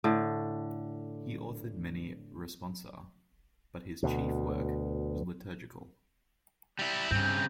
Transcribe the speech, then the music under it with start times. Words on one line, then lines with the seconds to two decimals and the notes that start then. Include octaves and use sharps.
He authored many "Responsa," but his chief work was liturgical.
0.04 A2 D3
4.03 D2 B2
6.79 G3 E4
7.11 G2 C#3 C4 G6